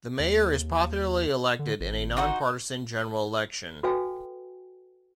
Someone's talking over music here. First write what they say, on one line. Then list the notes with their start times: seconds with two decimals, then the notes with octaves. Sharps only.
The mayor is popularly elected in a nonpartisan general election.
0.19 D#2
1.59 D3
1.80 G#1
2.17 D#4 F#4 C5
3.83 F#4 A4 B4 F5 G5 G#5